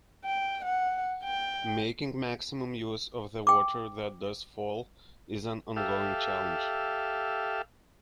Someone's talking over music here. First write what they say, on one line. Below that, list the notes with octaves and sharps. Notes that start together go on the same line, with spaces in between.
Making maximum use of the water that does fall is an ongoing challenge.
G5
F#5
G5
G5 D6
G4 A4 E5 F5